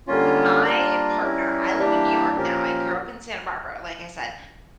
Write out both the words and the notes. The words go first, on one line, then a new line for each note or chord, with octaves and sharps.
my partner I live in New York now, I grew up in Santa Barbara, like I said,
D3 G3 A#3 C#4 F4
G3 A#3 D4 F4 A#4
G3 C#4 E4 A#4
E3 G3 A#3 D4 G4
A#2 F3 C#4 G4 A#4